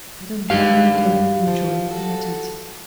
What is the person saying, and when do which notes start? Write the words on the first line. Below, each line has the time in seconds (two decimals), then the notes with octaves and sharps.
I don't wonder you enjoy looking at it.
0.50 G2 D#3 G3 G4 F5
1.47 F3
1.87 F#4 A4